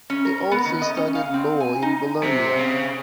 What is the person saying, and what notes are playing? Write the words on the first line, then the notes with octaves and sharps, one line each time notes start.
He also studied law in Bologna.
C#4
A#4
B3
D#3
D#5
C#4
F5
C4
G#5
D#4
C3
C#3